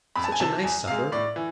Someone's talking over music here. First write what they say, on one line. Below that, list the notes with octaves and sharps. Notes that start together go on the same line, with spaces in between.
Such a nice supper!
F2 B5
A5
G#5
C3 E3 A5
E2 G#5
C3 G#3 F5
A2 D5
E3